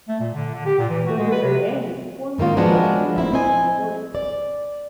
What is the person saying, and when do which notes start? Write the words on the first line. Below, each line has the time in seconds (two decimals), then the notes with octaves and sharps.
The river Danube formed its western and southern border.
0.08 A3
0.20 A#2
0.34 D3
0.54 D3
0.66 G4
0.78 A#2
0.90 E3
1.07 F#4
1.19 G#3
1.32 B4
1.43 C3
2.38 G#2 D#3 A#3 F4 F#4
2.57 F3 G#3 B3 D4 F#4 A#4
3.16 C4 E4 E5
3.33 C4 D#5 G#5
4.15 D5